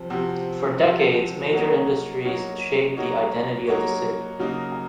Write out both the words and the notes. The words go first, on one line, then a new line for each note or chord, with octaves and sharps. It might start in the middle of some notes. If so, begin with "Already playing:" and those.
For decades major industries shaped the identity of the city.
Already playing: C3 F3 C4
C3 F3 C4 F#4
C3 F3 C4 F#4
F#3 A#3 D#4 F#4 C#5
F#3 A#3 D#4 F#4 C#5
F#3 A#3 D#4 F#4 C#5
F#3 A#3 D#4 F#4 C#5
C#3 F#3 A#3 D#4 F#4